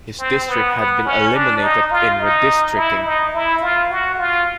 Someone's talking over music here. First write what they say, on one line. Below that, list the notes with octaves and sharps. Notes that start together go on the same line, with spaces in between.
His district had been eliminated in redistricting.
C4
B3
B3
C#4
D4
D#4
F4
D#4
E4
D#4
E4
F4
F#4
F4